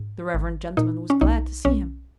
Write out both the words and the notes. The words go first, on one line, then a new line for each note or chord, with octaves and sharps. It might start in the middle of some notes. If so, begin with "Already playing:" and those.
The reverend gentleman was glad to see him.
Already playing: G#2
G#1
A#2 D#4
C#4
B1 D#4
B1 C#4